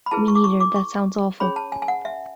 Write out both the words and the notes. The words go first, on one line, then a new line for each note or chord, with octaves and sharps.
Me neither, that sounds awful.
B5
E4 G#4 B4 A5
C#6
D6
C#6
D6
C#6
C#4 G#4 C#5 B5
A5
G#5
G#5
F#5
E5